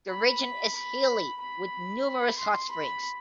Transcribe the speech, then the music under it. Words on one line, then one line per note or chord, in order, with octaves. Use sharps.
The region is hilly, with numerous hot springs.
B5
B5
B5
B5
C6
B5